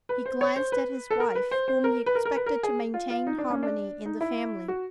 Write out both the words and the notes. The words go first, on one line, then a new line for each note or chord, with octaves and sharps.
He glanced at his wife, whom he expected to maintain harmony in the family.
B4
C5
C#5
C5
B4
A4
A#4
B4
C5
C5
A#4
B4
A#4
A#4
B4
A#4
G#4
F4
F4
D#4
D4
C#4
D4
D#4
E4
F#4